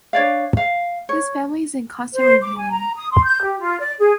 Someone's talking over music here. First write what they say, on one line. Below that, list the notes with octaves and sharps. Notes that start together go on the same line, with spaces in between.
This family is in constant reviewing.
D4 C#5 D5 F5
F5
C#5
C5
D6
G#5
A#5
D#6
C6
G6
G4
F4
D5
G#4